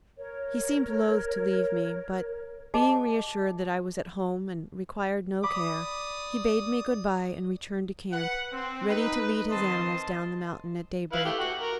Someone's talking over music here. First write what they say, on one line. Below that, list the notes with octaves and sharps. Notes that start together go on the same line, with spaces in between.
He seemed loath to leave me, but, being reassured that I was at home and required no care, he bade me good-bye and returned to camp, ready to lead his animals down the mountain at daybreak.
A#4 C#5
G#4 D#5 A5 D6
D5 B5 D6 D#6
B4 F#5
C4
D#4 B4
D#3 C4 D#5 A5 C6
E4 B4 F5
A3 G4
F#4
A#4